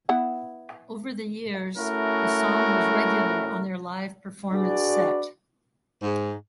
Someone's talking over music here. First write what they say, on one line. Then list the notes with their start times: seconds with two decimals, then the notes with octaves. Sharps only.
Over the years, the song was regular on their live performance set.
0.09 B3 E4 F#5
1.78 A3 C#4 E4 F#4 A#4
4.52 D4 F#4 G#4 B4 D5
6.03 G#2